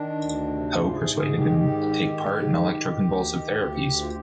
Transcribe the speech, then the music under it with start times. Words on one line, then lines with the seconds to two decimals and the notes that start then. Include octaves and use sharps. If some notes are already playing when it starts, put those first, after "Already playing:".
Hoe persuaded him to take part in electroconvulsive therapies.
Already playing: D#3 D4
0.19 D2
0.47 C3
0.74 G#2 F4
0.95 G#4
1.02 G#2
1.16 G#4
1.30 D#3
1.37 G4
1.57 G#2 G4
1.86 D#3
2.13 G#2
2.41 D#3
2.69 D#3
2.96 D2
3.24 D#3
3.52 D2
3.80 D2
4.01 F4